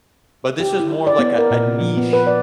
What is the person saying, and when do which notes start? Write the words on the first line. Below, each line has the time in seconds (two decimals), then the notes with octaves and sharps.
but this was more of, like, a a niche
0.60 G4
0.80 E4
1.07 D5
1.19 B3
1.38 A#4
1.51 A#2
1.80 F3
1.97 B3
2.13 B4
2.27 D5